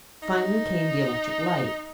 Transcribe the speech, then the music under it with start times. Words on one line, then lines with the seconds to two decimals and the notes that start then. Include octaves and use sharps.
Finally came the electric light.
0.22 D#4